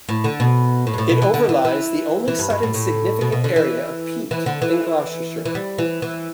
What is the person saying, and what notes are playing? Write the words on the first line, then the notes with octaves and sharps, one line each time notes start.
It overlies the only cited significant area of peat in Gloucestershire.
A2
D3
B2
A2
G2
A2
B2
E3
D3
E3
E3
E3
G2
G2
A2
A2
B2
B2
D3
E3
E3
D3
E3
E3
G3
E3
E3